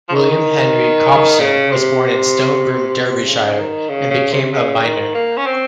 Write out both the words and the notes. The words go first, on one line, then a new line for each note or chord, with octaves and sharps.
William Henry Copson was born in Stonebroom, Derbyshire, and became a miner.
F3
D#3
C#3
C3
C#3
D#3
C#3
C#3
C3
C#3
D#3
A#3
C#4
C4